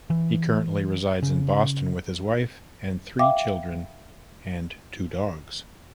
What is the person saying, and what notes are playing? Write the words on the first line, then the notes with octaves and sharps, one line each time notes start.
He currently resides in Boston with his wife and three children and two dogs.
E3
C#3
E5 F5 G5 D6